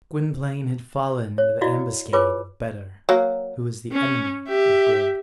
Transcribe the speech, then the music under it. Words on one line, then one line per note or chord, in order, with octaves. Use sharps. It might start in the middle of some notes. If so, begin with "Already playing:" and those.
Gwynplaine had fallen into the ambuscade of Better, who is the enemy of Good.
C#5
E4 F#4 D5 D#5 F5
F4 G#4 B4 C#5 G#5 D6
F#3 A#3
C#4
G4 E5